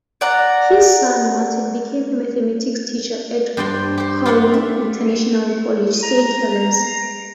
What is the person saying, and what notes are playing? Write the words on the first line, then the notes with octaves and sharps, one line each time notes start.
His son, Martin, became a mathematics teacher at Cowley International College, Saint Helens.
D5 F#5 A#5
G2 G4 C5 D5 G5
G4 C5
F4 G4 D5 E5 F#5
E5
A#5